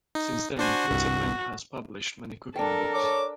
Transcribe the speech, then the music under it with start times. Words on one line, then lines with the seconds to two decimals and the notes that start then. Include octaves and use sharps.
Since then, Witzigmann has published many cooking books.
0.15 D#4
0.59 D4 F#4 C5 G#5
0.91 C2 G2
2.56 D4 A4 A#4 G5
2.93 C#5 D6